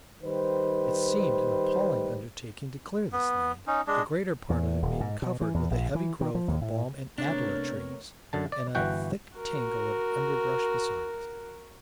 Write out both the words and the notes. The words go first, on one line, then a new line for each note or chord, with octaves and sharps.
It seemed an appalling undertaking to clear this land, the greater part of it being covered with a heavy growth of balm and alder trees and a thick tangle of underbrush besides.
D#3 G3 B4 C5
B3
C#4 D#4
G#3 D4
E2
D#1
G#2
B2
E3
E2
A#1
E3
D#3
F3
D#2
A2
C3 A3 B3 D4 A#4 C#5
F#2 D3 A5
D5
G1 E3 F#4 F#5 G5
F#4 A#4